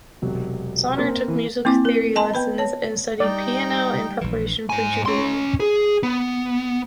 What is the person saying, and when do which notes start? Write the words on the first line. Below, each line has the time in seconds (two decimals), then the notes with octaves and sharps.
Zauner took music theory lessons and studied piano in preparation for "Jubilee".
0.22 E1 C3 F#3
0.97 A#3 C4
1.28 E3
1.65 A#3 C4 E4 D6
1.85 A#4
2.16 D#5 G#5 A5 C6
2.33 B3 B4 B5
2.58 C#5 A5
3.20 G3 D#4 D5 G5
4.21 A#1 E3
4.70 G#2 G#5
5.06 C#4 C6
5.60 G#4
6.03 B3